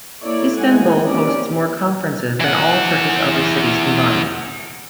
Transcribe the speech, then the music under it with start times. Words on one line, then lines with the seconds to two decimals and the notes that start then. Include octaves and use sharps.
Istanbul hosts more conferences than all Turkish other cities combined.
0.22 A#3 E4 A4 C#5 D5
0.58 G#3 B3 E4 F#5 G#5
1.05 A#3 C4 C#4 G4 D5
2.41 E3 F#5